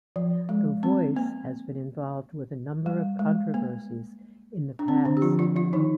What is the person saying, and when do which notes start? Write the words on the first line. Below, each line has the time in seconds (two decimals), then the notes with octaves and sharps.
"The Voice" has been involved with a number of controversies in the past.
0.16 F3
0.49 G#3
0.83 C4
1.16 A#3
2.86 G3
3.19 G#3
3.54 A#3
4.79 D4
4.88 C4
5.05 D3 D4
5.17 G4
5.22 F3 F4
5.39 F3 F4
5.56 F3 F4
5.73 D#3 D#4